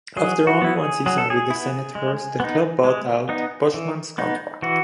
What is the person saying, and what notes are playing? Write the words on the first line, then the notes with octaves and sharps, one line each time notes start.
After only one season with the Senators, the club bought out Boschman's contract.
F#3 G#4
F#4
B3 E4
G#4
F#3 G#4
A4
G#4
B3 E4
G#3
B3 D#4
G#3
B3 D#4
E3
B3 D#4
E3 F#4